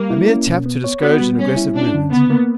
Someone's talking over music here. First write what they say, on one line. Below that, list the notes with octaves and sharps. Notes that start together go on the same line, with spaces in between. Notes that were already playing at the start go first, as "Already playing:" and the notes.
A mere tap to discourage an aggressive movement.'
Already playing: G3 A#3
E4
C#4
B2
B3
C#5
B3 F#4
G3
G3 C#4
E4
C#4 D4
D3
C#3 B3
A#3